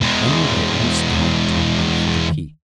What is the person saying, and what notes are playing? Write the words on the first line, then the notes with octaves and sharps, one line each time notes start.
Then they all started to hunt for the key.
E2 G#3